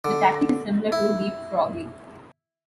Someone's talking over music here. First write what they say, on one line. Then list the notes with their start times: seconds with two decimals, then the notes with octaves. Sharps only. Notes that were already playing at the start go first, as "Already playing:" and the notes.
The tactic is similar to leapfrogging.
0.05 D3
0.92 E4